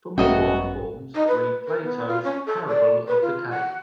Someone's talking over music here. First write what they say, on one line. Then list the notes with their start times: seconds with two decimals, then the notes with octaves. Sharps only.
For more on forms, read Plato's parable of the cave.
0.18 G#1 F#2 A3 B3 C#4 F#4 D#5 G5
1.15 D#4
1.28 B4
1.68 A#4
1.84 B3
2.08 F4
2.24 C#4
2.46 A4
2.68 D5
3.08 B4
3.22 F4
3.50 F#5